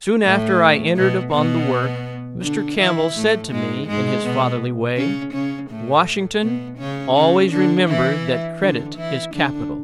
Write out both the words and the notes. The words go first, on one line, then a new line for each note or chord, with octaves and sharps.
Soon after I entered upon the work Mr. Campbell said to me, in his fatherly way: "Washington, always remember that credit is capital."
A2 A3
B2 B3
B2 B3
D3 D4
E3 E4
A2 A3
G#2 G#3
G#2 G#3
B2 B3
C#3 C#4
C#3 C#4
A2 A3
B2 B3
C#3 C#4
C#3 C#4
D3 D4
E3 E4
D3 D4
E3 E4
D3 D4